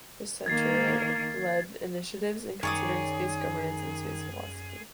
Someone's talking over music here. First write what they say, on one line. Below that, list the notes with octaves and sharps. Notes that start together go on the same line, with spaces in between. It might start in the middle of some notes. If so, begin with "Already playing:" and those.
The centre led initiatives in considering space governance and space philosophy.
D#3 A#3 G#6 A6 C7
F#2 D#3 G#4 C#5 D5 D#6